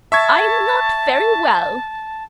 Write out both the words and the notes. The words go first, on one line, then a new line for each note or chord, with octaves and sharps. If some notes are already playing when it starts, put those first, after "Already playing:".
"I'm not very well."
E5 A5 C#6 G#6